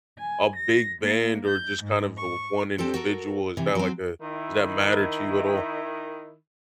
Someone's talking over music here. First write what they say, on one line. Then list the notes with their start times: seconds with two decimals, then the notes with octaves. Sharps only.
a big band or just kind of the one individual? Is that like a Does that matter to you at all?
0.18 G#5
0.56 A#6
1.01 A#3
1.47 G6
1.82 G#2
2.17 C#6
2.78 C4 D4 G4 A4 C5
2.94 F#4 A4 A#4
3.57 C3 E3
3.75 F#3 C4
4.21 D#3 E4